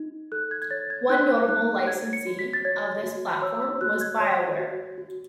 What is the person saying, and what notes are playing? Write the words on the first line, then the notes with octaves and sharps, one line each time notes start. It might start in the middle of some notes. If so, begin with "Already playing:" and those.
One notable licensee of this platform was BioWare.
Already playing: D#4
A4 F#6
G#6
G#6
C#5 A6
G#6
D#4 F#6
D#4 F#6
C#5 G#6
C#7
F#4
B6
A6
C#5 G#6
F#4
C#5 E6
E6
F#4 F#6
G#6
C#5 G#6
F#4
F#4